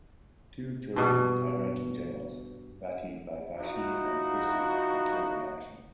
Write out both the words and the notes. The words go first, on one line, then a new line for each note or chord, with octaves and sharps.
Two Georgian high-ranking generals, Rati Baghvashi and Khursi were killed in action.
G2 B2
F3 D#4 E4 F#4